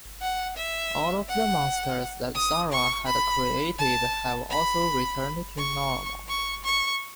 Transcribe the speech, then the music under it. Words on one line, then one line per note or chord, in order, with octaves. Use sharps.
All of the monsters that Sarah had created have also returned to normal.
F#5
E5
F#5
D#6
C#6
B5
A5
B5
C#6
C#6
C#6